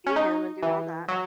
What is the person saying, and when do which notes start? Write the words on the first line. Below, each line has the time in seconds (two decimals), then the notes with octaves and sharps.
feed him and do all that,
0.06 C#4
0.16 D#4
0.63 E3
1.08 F#3